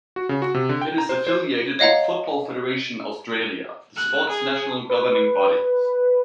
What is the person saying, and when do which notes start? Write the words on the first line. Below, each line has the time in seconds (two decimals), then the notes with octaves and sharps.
It is affiliated with Football Federation Australia, the sport's national governing body.
0.16 F#4
0.29 C#3
0.42 F#4
0.54 C3
0.69 D3
0.81 G5
0.98 A#5
1.09 C5
1.27 C5
1.79 C#5 D#5 F5 F#5 A#5
3.96 F#6
4.29 G#4
4.89 B4